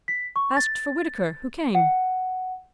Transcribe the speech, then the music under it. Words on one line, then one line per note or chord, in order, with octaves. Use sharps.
Asked for Whittaker, who came.
B6
C#6
A6
F#5